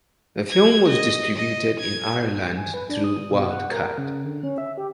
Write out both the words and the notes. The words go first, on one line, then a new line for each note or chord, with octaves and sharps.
The film was distributed in Ireland through Wildcard.
G#6
D#5
D#5
G#6
G#5
B4
D4
D#6
B2
F#5
A#4
C#3
D3
C#4
E5
G4